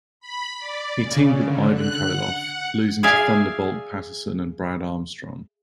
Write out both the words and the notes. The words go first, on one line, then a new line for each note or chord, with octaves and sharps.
He teamed with Ivan Koloff, losing to Thunderbolt Patterson and Brad Armstrong.
B5
D5
C#3
D3
F#6
F#5
F#5
G#4 D5 E5 F5 G#5